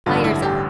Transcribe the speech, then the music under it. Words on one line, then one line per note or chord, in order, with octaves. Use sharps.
Fire's out!
A1 G2 D3 F4
E4
G4